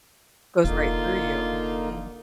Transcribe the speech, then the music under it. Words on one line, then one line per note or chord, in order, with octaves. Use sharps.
Goes right through you, mhm.
F1 D3 A#3 D#4 F4